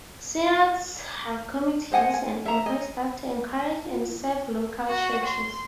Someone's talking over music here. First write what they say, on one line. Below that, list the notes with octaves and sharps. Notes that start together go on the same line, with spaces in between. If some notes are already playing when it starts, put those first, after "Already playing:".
Synods have committees and employ staff to encourage and serve local churches.
C5 D#5 F#5 G#5
G#5
E5 A#5
D#5 G#5
F#4
C6